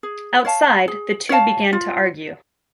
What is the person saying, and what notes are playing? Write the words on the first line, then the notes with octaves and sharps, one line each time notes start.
Outside, the two began to argue.
G#4
C#5 F5 A5
G#4
C#5 F5 A5
F4